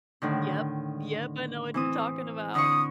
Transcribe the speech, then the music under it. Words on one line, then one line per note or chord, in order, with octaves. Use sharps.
Yep. Yep, I know what you're talking about.
A2 D3 D#3
E3 C4 D#6
D3 C#6 D#6